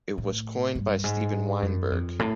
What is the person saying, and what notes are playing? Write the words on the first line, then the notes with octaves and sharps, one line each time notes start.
It was coined by Stephen Weinberg.
A2
G2
G#2
F#2
F2
A2